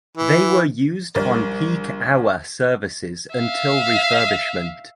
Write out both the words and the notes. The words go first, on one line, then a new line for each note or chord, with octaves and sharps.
They were used on peak hour services until refurbishment.
E3
A#1 G3 A#4 A6
E5 F5